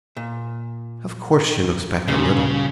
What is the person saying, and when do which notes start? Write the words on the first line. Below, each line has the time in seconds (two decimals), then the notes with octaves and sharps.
"Of course she looks back a little."
0.17 A#2
2.08 A#2 C#3 G3